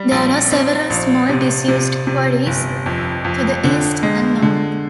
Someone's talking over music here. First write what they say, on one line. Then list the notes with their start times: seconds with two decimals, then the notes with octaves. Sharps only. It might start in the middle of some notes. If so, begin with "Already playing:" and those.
There are several small disused quarries to the east and north.
Already playing: G3
0.11 A#1
0.51 C4
0.90 A#1
1.29 C3
1.68 C3
2.07 C3
2.46 G1
2.86 F2
3.25 F2
3.64 D3
4.03 G#3
4.42 D3